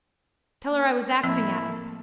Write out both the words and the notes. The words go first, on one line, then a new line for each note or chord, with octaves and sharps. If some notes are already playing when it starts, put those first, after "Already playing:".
Tell her I was axing at her.
A#3
A2 F3 A#3 C4 E4 A4 E6